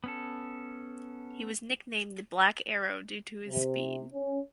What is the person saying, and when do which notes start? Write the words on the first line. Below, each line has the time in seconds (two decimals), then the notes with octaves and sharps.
He was nicknamed the "Black Arrow" due to his speed.
0.04 B3 C#4 A4
3.48 C3
4.13 C#4